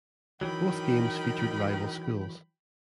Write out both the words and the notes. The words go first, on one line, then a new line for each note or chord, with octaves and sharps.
Both games featured rival schools.
D#3 E3 F#3 G5 B5